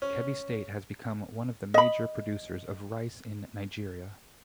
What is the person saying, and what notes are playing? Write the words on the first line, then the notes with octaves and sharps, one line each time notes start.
Kebbi State has become one of the major producers of rice in Nigeria.
C#4
D#5 B5